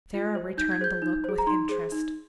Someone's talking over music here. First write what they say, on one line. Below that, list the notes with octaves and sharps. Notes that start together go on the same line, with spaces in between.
Sara returned the look with interest.
F4
C5
D#4 G6
G#6
G#4 C5 G6
D#4
G#4 C5
A#5
D#4 C6
G#4 C5
D#4